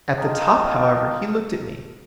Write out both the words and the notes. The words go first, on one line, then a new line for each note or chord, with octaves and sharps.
At the top, however, he looked at me.
A#3 D#4 F4 A#4 G5 A5